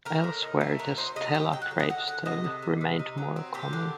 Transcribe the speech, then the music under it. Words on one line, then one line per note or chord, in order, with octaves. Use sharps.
Elsewhere the stela gravestone remained more common.
A3 A#4
A2
D#4
A3
F#3 A#4
D#4 C5
C3 D#5
D#4 G5
F#3 G5
F#5
D3
D#5
D3 F#5
D3 F#5
C3 D#5
C3
C3
C3
D#4
F#3
C4
A#2 G4
D3